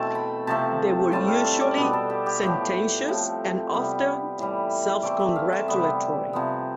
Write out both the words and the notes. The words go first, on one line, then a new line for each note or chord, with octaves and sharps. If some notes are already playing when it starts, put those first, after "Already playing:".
They were usually sententious and often self-congratulatory.
Already playing: B2 E3 A3 C4 G5 A5
B5
C3 F3 A3 C4 A5
A2 G3 C4 A5
F5
E5
D5
B2 G3 B3 B4
A4
G4
G4
A2 F3 B3 G4
A2 F3 C4
C3 G3 B3
A2 E3 G3
E3 A3 C4 D5
E5
F5
E5
C3 G3 B3
C3 F3 B3